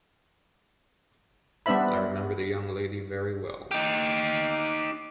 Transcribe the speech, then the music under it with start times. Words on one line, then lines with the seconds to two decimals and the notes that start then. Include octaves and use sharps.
I remember the young lady very well.
1.66 G3 B3 D4 C5 E5 B5
3.71 D#4 G4